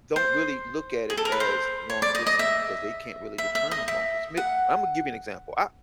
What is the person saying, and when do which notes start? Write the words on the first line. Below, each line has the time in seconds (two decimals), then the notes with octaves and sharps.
don't really look at it as long distance because they can't really determine long distance. May Imma give you an example: I
0.16 C5
1.10 G#4
1.17 A4
1.25 A#4
1.32 B4
1.40 C5
1.90 C#5
2.02 D5
2.15 D#5
2.27 D#5
2.39 E5
3.38 E5
3.55 E5
3.71 D#5
3.88 E5
4.37 F#5